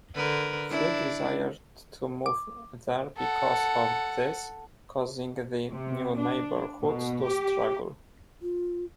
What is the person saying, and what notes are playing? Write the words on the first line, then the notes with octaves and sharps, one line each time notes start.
Few desired to move there because of this, causing the new neighborhoods to struggle.
D3 A#4 B4
D4 E4
D6
A4 F#5
C3
D4
B2
G4
F4